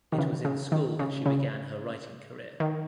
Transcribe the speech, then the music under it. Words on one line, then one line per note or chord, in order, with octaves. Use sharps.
It was in school that she began her writing career.
D#3
C#3 E3
C#3
D#3
C#3
C#3
D#3